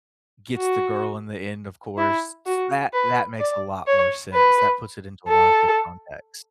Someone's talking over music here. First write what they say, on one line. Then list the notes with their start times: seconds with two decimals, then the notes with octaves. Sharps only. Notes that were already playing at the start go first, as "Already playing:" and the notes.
gets the girl in the end, of course, s that that makes a lot more sense, that puts it into a lot of good context.
0.57 F#4
1.98 E4
2.46 F#4
2.93 B4
3.40 D5
3.87 C#5
4.33 B4
5.29 A4